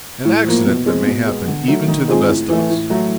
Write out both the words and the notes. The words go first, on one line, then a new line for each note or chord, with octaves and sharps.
An accident that may happen even to the best of us!
A2
F3 A#3
B2
G#3 C4
B2
G#3 B3
D3
F#3 A3
D#3
G#3 C4 F4 G#4
A2
E3 A3
A2
F#3 A3